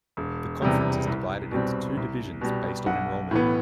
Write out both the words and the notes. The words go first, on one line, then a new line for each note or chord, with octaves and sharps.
The conference is divided into two divisions, based on enrollment.
E1
E2 C3 G3
C2
B2 G3 C4
C2
B2 G3
B1 F#5
A2 E3 B3